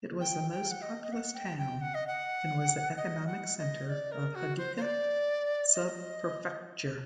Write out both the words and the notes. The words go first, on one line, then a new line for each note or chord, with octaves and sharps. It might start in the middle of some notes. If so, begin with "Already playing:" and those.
It was the most populous town and was the economic center of Hidaka Subprefecture.
G5
G5
F#5
D#5
D#5
F#5
G5
G5
F#5
D#5
F#5
D#5
F#5
D#5
D5
A#4
F#4
C5
C5
D5
D#5